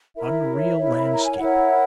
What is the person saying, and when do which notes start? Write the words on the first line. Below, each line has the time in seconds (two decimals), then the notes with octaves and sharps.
Unreal landscape!
0.14 E4 A#4 C#5 E5
0.77 E4 A#4 C#5
0.98 B5
1.11 A#5
1.25 G#5
1.39 E4 A#4 C#5 F#5